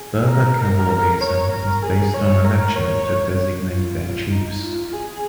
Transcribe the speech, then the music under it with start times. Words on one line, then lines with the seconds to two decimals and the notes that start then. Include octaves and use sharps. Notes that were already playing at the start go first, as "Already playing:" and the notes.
Berber Khawarijism is based on elections to designate their chiefs.
Already playing: G#4
0.27 A#4
0.58 A#4
0.89 A#4
1.21 C#5
1.51 A#4
1.82 G#4
2.14 C#5
2.44 A#4
2.76 C#5
3.07 C#5
3.69 F4
4.31 D#4
4.62 F4
4.93 G#4